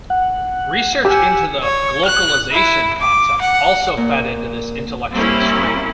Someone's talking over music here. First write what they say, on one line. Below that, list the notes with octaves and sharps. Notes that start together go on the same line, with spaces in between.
Research into the "glocalization" concept also fed into this intellectual stream.
F#5
G4 F#5 G#5 E6
C#5
F#6
E4
D6
F#5
A#2
G3 A#3 C4 C#4 E4